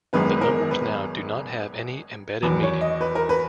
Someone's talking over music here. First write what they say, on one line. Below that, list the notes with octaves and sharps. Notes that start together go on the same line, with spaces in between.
The numbers now do not have any embedded meaning.
G#1 F#2 D#3 G#3 B3 B4
B4
A#4
B4
E2 D#3 F#3 B4
C#5
D#5
B4
A#4
B4